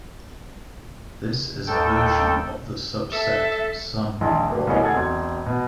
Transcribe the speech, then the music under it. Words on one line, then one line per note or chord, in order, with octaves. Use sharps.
This is a version of the subset sum problem.
D#2 A4 G5
A4 E5 A5
A#1 D#2 G#3 C6
D1 A#3
C2 B2 G#4 C#5 D#5
G#4 A4 F#5 G#6
E1 C4 G#6
B2